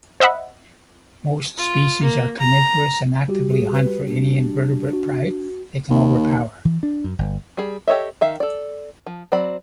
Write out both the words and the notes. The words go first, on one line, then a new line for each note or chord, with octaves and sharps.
Most species are carnivorous and actively hunt for any invertebrate prey they can overpower.
C5 D#5 E5 F#5 B5
F4
A#3
A#5
G3 F#4 G4
G#4
B4
D4
F#4
D#2
E3
D4
F#2
G1
G3 G#4
G4 A4 C#5 D#5 E5
D#3 E5 F5
A4 D5
F3
F#3 C4 D5 B5